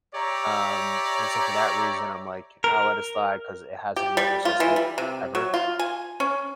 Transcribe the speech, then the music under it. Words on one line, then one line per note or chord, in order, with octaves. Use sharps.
Um, and so for that reason, I'm like, "I'll let it slide," 'cause it hasn't been persistent ever.
G4 C#5 D5 E5 A#5
A#4
G4
G3
F4
E3
G3
C3
F#3
F4
G#5
C#4